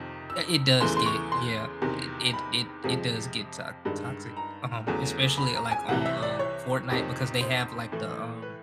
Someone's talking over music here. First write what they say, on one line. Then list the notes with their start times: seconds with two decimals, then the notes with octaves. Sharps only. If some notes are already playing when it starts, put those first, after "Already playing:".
Eh, it does get yeah, eh, it it it does get to toxic, um, especially, like, on, uh, Fortnite because they have, like, the, um
Already playing: F2 C3 D#3
0.30 E6
0.81 E2 C#3 E3 A3 C6
0.97 C6
1.06 C#6
1.32 C6
1.82 E2 C3 D#3
2.33 B5
2.84 F2 C3 F3 G#3
3.85 G2 D#3 G#3
4.37 A#5
4.87 E2 C#3 F#3 A3
5.38 B5
5.55 A#5
5.71 G#5
5.88 C2 C3 E3 F#5
6.06 E5
6.22 D5
6.39 C#5
6.90 F2 C3 D#3
7.41 C5
7.92 A2 E3 A3
8.42 B4